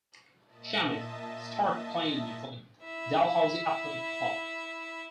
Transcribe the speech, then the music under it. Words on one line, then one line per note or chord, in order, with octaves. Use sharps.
Shami started playing for the Dalhousie Athletic Club.
A#2 D#5 E5 A5
E4 E5